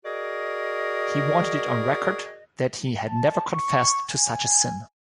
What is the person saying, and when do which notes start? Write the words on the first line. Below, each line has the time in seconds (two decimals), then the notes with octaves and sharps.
He wanted it on record that he had never confessed to such a sin.
0.04 F#4 G#4 A#4 D5 D#5
3.07 A5
3.52 C#6
4.11 G#5